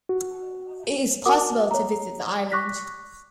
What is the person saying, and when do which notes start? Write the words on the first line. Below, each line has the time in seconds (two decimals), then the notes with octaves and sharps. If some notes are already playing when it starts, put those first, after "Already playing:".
It is possible to visit the island.
0.09 F#4
1.26 F#4 A#4 F#5 D6 D#6
1.71 C#5 A#5
2.52 C#6 D6 F#6 A#6 B6